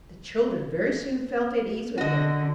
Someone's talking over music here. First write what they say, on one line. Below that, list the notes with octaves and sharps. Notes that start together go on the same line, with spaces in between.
The children very soon felt at ease with him.
D3 F#4 D#5